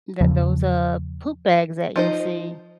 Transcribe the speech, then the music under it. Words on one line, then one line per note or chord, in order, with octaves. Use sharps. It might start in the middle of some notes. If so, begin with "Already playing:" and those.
that those, uh, poop bags that you see,
E2 C#3 F3
F3 D#4 C5